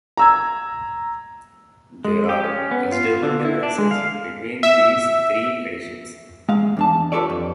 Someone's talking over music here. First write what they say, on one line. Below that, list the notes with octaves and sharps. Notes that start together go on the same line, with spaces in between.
There are considerable differences between these three editions.
A#5 E6 G#6
G#3
G4
C#4
B3
F4
D3
E4
D4
G#3
F5
E5
G#3 F5
E2 D4 A5
F4 G4 A4 B4 C#5 D5
F2